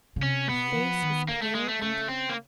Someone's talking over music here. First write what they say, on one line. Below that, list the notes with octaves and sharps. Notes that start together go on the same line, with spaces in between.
Her face was pale and tense.
C#3
C3 C#4
B2 B3
F3
D#3
D3 A#3
A3
G#3
A3
C#3 A3
C4
A#3